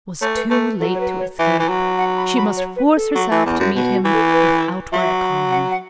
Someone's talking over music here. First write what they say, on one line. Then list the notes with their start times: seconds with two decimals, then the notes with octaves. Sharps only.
It was too late to escape; she must force herself to meet him with outward calm.
0.21 A3 C#5
0.36 B4
0.50 A3 B4
0.80 F#3 A4
0.94 C#5
1.00 B4
1.19 C#5
1.39 E3 E5
1.59 E3
1.68 F#3
1.98 F#5
2.17 B5
2.37 B5
2.57 C#5
2.76 B4
2.96 A4
3.15 F#3
3.31 E3
3.46 E2
3.60 F#2
3.75 B2 B4
3.94 F#4
4.04 E3
4.14 A4
4.34 B4
4.92 F#3 E5
5.51 F#5
5.71 F#5